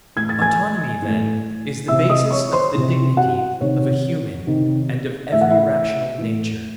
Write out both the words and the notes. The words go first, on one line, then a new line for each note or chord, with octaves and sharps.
Autonomy then is the basis of the dignity of human and of every rational nature.
A2 E3 G#6
A6
G#5 G#6
A2 E3
C3 E3 E5 E6
D#5 D#6
C#5 C#6
C5 C6
C3 E3
F#4 F#5
C3 D#3 C#5
C3 D#3
A2 E3 E5
F#5
E4 E5
A2 E3